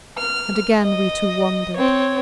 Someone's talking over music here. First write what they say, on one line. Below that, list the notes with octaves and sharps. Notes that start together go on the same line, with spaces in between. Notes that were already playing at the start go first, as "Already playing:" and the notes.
And again we two wandered.
F6
D#5
C4 C#5